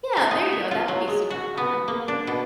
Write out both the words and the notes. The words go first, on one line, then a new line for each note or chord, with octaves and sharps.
Yeah, there you go, that would be super fun.
F5
D#4
E5
F4
F#3
G#3
F#4
B3
A#3
D4
B2